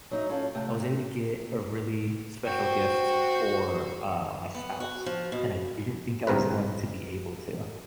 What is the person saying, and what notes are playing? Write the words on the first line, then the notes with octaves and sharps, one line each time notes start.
I was able to get a really special gift for, uh, my spouse, and I didn't think I was going to be able to.
F#3 D#4 E5
C#4 E4 F4 A4
C3 A3 G5
F#4 C5 G5
B3
F#4
F3
B2
G1 C2 C3 A#4 B4